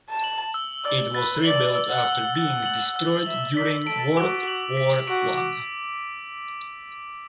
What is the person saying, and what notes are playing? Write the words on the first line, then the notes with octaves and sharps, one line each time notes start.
It was rebuilt after being destroyed during World War One.
A5
F#7
E6
D5 E6
B4 A6
D5 F#7
E6
F#5
E6
F#5 A6
F#7
E6
E5 F#7
D5 B6
A4 D7
F#4 D6
F#7
B6
F#4 D7
D6